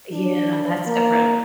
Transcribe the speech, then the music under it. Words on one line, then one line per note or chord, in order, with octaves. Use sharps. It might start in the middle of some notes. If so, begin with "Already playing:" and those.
Yeah, that's different.
D4
A#3